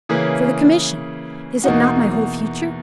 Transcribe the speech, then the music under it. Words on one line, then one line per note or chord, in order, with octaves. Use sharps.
"For the commission; is it not my whole future?"
C#3 E3 A#3 C#4 G#4
E2 B2 A#3 D#4 F#4